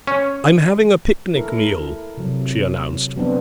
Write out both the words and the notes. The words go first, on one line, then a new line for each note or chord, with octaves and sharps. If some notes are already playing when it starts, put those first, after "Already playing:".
"I'm having a picnic meal," she announced.
C#4
E4 A4 A#4
C3 F#3
F#3 B3 C4 D4